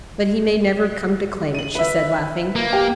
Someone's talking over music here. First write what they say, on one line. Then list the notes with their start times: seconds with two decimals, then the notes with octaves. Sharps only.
"But he may never come to claim it," she said, laughing.
1.55 D#7 F#7
1.75 B4 E5
2.56 A#3
2.73 G4